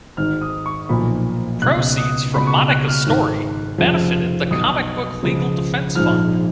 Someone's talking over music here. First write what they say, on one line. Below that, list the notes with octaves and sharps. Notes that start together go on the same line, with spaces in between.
Proceeds from "Monica's Story" benefitted the Comic Book Legal Defense Fund.
G#1 G#2 D#3 F6
D#6
C#6
B1 A#2 F3 B5
C#2 B2 F#6
D#6
C#2 B2 B5
C#6
B5
F#6
F6
G#1 G#2 D#3
F1 F2 C#3 F3
B1 B2 D#6
C#2 C#3 F3
A#1 G#2 F3 F6